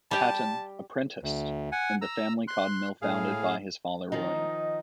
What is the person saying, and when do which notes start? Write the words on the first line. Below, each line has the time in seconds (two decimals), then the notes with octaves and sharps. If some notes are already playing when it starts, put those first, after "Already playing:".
Patton apprenticed in the family cotton mill founded by his father William.
0.11 G3 G4 A5
1.23 D2
1.72 F#5 G#5
2.02 A#5 E6
2.48 C6 F#6
3.02 A2 G#4 F5
4.12 D#3 F3 D#4 D#5